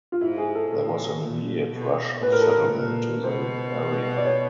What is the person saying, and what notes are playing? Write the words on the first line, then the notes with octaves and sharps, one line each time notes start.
There was an immediate rush of settlement to the area.
F4
G#2 E4
G#4
A4
A2 A4
A#2
B2
A2 B4
A#4
A4
A#4
A#2
B2 C5
D5
C#5